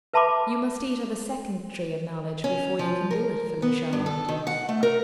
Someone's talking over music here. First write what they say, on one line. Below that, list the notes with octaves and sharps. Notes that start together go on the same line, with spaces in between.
"You must eat of a second tree of knowledge before you can do it, Felice Charmond."
B4 E5 A5 B5 C6 D6
C#4
F3
A#4
B3
G2
A4
D#3
F#5
A3
A#4